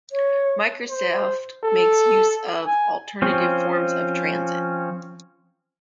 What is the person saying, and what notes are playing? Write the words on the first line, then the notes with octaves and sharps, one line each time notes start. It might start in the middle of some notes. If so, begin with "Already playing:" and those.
Microsoft makes use of alternative forms of transit.
C#5
C5
A4
G#5
F3 C4 C#4